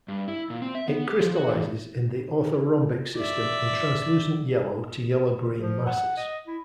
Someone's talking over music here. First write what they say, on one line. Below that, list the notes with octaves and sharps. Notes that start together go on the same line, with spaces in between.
It crystallizes in the orthorhombic system in translucent yellow to yellow green masses.
G2
E4
A#2
C4
E5
B3
G4
F3
F#4
E2
D5 E5
F3
F#5
D#5
E4